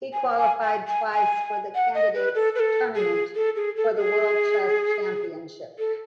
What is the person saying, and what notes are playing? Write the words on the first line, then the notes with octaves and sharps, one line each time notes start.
He qualified twice for the Candidates Tournament for the World Chess Championship.
G#5
G#5
G#5
G#5
G#5
F#5
D#5
B4
A4
B4
A4
G#4
A4
G#4
A4
G#4
A4